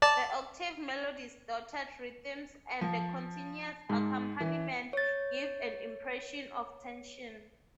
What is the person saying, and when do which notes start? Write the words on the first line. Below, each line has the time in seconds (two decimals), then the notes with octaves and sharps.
The octave melody's dotted rhythms and the continuous accompaniment give an impression of tension.
0.02 D5 A5
2.81 F3
3.89 G#2
4.40 E3
4.93 C#5 A6